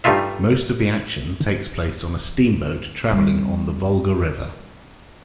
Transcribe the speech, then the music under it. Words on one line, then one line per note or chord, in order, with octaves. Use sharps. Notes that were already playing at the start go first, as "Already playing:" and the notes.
Most of the action takes place on a steamboat travelling on the Volga River.
G2 G3 A3 D#4 F4 E5
G3 C4